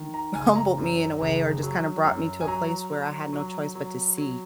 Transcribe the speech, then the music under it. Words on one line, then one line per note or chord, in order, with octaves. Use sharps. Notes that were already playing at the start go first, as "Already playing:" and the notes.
m humbled me in a way or just kinda brought me to a place where I had no choice but to see
Already playing: D#3
A#5
F#1 G#5
A#5
F#2
F#1
F#3
F#2
G#5
F#3 A#5
F#3
F#3
F#3
F#3